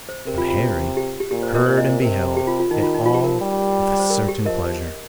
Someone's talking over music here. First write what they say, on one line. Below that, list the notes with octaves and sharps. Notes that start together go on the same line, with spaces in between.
But Harry heard and beheld it all with a certain pleasure.
C5
C3 A#4
F4
F4
G4
G4
A#2 G4
C5
A#4 D#5
A#2 C5
D#5
C5
C3 A#4
G4
F4
F4
D#3 D#4
F4
D#4
F3 F4
G4
A#4
G3
C5
A#4
G4
F3 A#4 D#5